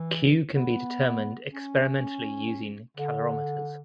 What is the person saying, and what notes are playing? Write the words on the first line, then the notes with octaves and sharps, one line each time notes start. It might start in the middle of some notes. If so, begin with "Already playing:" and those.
"Q" can be determined experimentally using calorimeters.
Already playing: E3
B3
C#4
D3